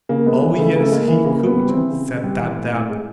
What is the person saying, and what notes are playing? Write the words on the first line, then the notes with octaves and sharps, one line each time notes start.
"Oh, yes, he could," said Dab-Dab.
C#3 A#3
G#3 B3
E3
C#3 A3
C#3 A3
G#3 A#3
E3
C#3 A#3
C#3 B3
G3
C4
E3
C#3
C#3
G3
E3
A2
A2
G#3